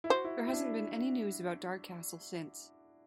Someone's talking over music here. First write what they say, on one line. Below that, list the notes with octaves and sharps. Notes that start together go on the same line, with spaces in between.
There hasn't been any news about Dark Castle since.
E4
F#4 C5
E4
E4
D4